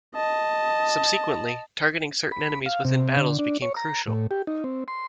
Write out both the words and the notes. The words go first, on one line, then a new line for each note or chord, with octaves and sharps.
Subsequently, targeting certain enemies within battles becomes crucial.
D#5 A5
B5
F5
C3
D3
D4
C#5
A#5
A2
G4
D#4
C4
C6